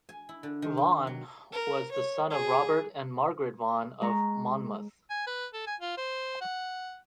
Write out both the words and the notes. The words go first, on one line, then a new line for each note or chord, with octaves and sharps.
Vaughan was the son of Robert and Margaret Vaughan of Monmouth.
G#5
E4
D3
D#3
G4
F#3
A#4
C#5
G#4
G#3 A#5 C#6
G#5
B4
A4
G#5
F4
C5
F#5